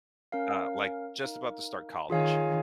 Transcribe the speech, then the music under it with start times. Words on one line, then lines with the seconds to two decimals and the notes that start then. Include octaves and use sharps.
uh, like, just about to start college,
0.32 C#4 A#4 F5
1.22 D#4 A#4 F5
2.10 D#3 F4 G#4 C#5 F5 G#5